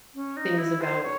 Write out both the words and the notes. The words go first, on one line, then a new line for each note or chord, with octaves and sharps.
things about
C#4
D#4
E4
C5
C#5